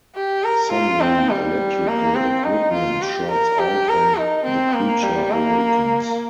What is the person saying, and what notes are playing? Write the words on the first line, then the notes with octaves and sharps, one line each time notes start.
Suddenly, electrical equipment shorts out and the creature awakens.
G4
A#4
F4
C4
G3
A#3
C4
D#4
F4
G4
A#4
G4
A#4
D#4
C4
A#3
G3
A#3